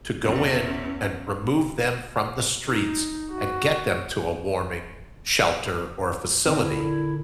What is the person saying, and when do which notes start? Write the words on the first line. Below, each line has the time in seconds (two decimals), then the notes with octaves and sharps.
to go in and remove them from the streets and get them to a warming shelter or a facility"?
0.24 E2 C#4
2.65 D#4
3.31 F#4
6.45 A#2 D3 C4
6.61 E4